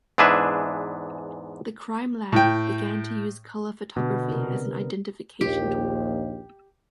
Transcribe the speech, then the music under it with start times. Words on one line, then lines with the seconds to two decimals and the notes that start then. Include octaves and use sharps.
The Crime Lab began to use color photography as an identification tool.
0.18 E2 G#2 D4 G#4 B4 E5
2.32 A2 G5
3.96 B2 D3 B3
4.30 C3 A#4
5.41 A#1 D#2 G4